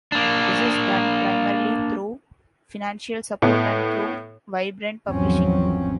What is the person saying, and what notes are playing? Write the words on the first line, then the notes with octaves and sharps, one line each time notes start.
This is done primarily through financial support and through vibrant publishing.
A#3 D4
A2 B3
G#1 E2 F3 F#3 C4 C#4